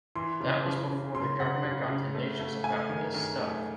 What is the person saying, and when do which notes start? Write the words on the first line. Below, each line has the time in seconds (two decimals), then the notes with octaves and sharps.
That was before the government got tenacious about this stuff.
0.16 E3 C6
0.40 C#3
0.65 C#3
0.90 C#3
1.15 C#3 C6
1.40 C#3 F#5
1.65 C#3
1.90 C#3
2.15 A3
2.39 A3
2.64 A3 G#5
2.89 D#3
3.14 D#3
3.39 A3